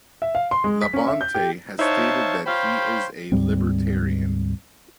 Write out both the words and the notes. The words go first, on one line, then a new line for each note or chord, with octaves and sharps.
Labonte has stated that he is a libertarian.
E5
F5
C6
G#3
B6
C#4
E5
G6
G4
D#4 C5 C#5 E5 F5 A5
C5 C#5 F5 G5 B5 C6
D2 G#2 G3 C4